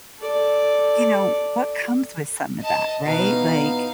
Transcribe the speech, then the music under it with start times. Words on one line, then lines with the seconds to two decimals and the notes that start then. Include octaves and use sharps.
you know, what comes with some of that? Right? Like
0.19 A4 D5
2.61 D#5 A5
3.05 B2 E3 B3 D#4 F5